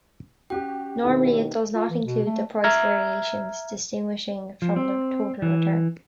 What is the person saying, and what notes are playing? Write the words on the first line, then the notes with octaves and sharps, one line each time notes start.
Normally, it does not include the price variations, distinguishing it from the total return.
C#4 F#4 G4 G5
D#2 B2 E4 A4
F4
E3
B2
A3
E5 A#5 F6 G#6
F3
C4
E3